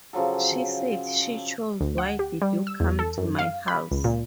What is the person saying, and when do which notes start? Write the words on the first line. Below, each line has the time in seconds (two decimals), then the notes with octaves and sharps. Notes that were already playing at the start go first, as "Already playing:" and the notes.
She said she chose Why Did You Come to My House?
0.13 C#3 F3 F#3 A4
1.81 D2
1.98 F#5
2.19 G4
2.42 G3
2.67 E6
2.80 E2
2.99 A4
3.18 F#2
3.39 F5
3.68 B5
3.91 C#2
4.04 A#2